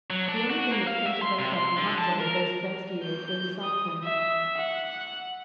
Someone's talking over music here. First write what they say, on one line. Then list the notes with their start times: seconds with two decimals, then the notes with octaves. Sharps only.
The only thing that came to break up the humdrum of those first years was a cyclone.
0.10 F#3
0.29 D4
0.50 F#4
0.71 A#3
0.87 F5
1.06 E5
1.22 C6
1.39 C3
1.54 C6
1.77 D3
1.98 A5
2.20 A#4
3.03 G6
3.64 D#6
4.04 E5
4.57 F#5